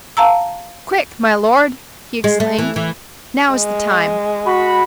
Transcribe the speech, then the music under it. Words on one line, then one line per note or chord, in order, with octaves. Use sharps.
"Quick, my lord," he exclaimed, "now is the time."
F5 A5 A#5 E6
G#3
A3
E3
E3
G#3
F#4 B5